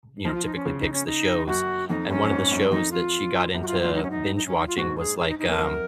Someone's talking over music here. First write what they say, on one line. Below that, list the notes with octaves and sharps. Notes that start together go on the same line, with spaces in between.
you know, typically picks the shows. And one of the shows that she got into binge-watching was, like, um,
F3 D#4
F4
D#4
C#4
C#3
D#4
C#4
D#4
F#2 F#4
F2 D#4
F#2 C#4
G#2
F#2
F#2
F2 D#4
F4
F#2
F#4
F4
F#2
G#2 F4
F#2 D#4
C#4
D#4
D#4
C#4
D#4
F4
G#2 F#4
G#4
G#4
D#4
D#4
F2 A#4
F#2